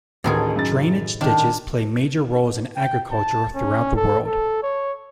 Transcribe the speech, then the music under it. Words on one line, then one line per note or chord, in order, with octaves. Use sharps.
Drainage ditches play major roles in agriculture throughout the world.
A1 D2 A2 D#3 G#4 A#4
F#2 A6
D#3 D4
G5
A5
C#4
A4
A4
C#5